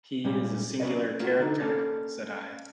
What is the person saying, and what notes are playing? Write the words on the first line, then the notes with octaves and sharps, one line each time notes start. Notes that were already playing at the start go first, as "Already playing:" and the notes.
"He is a singular character," said I.
A#2 G3 G#3 C#4
C#4 B4 D5 D#5
A#3 F4 F#4
D3 D#4
A#3 C#4 A4 D5